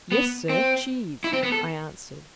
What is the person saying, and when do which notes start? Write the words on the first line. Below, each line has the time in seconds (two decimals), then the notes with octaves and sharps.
"Yes, sir, cheese," I answered.
0.12 B3
0.49 C4
1.24 E4
1.33 C4
1.43 B3
1.52 A4